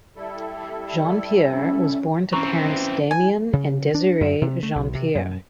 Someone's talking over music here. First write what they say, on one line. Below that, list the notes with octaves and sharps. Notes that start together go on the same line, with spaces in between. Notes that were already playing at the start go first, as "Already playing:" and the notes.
Jeanpiere was born to parents Damion and Desiree Jeanpiere.
G3 E4 A4
C#4
E3 C4 C#4 A#5 C#6
E4 G#5
C#3
D4
F#2
C3
A3
B1
C3
F#2